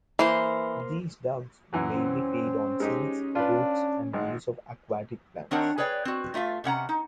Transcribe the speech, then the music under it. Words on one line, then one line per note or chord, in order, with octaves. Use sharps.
These ducks mainly feed on seeds, roots, and leaves of aquatic plants.
E3 A#3 C5
F#2 E3 F#3
C4 C#4
G#3 D#4 G4
D4 F4 B4
G#1 G#3 F#5
D#3 C4 D4 A#4 C#5 F#5
G#4 B4 C#5 D5 G5
C4 F#4
A3 F4 E5 F5
C3 C#4 F#5 A#5
D#4